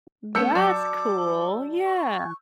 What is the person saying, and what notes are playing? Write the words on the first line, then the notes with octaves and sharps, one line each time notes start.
That's cool. Yeah.
A3 B3 C#4 E6 G6 C#7
F#3 D5 A5 D6
C#6